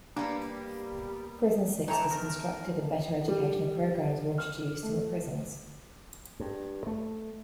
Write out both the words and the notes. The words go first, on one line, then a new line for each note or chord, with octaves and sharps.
Prison Six was constructed and better educational programs were introduced in the prisons.
G3 A#3 B3 D4
E3 D#4 C#5 G5 A5 A#5
E2 A#4
G3
F6
A3
G2
A3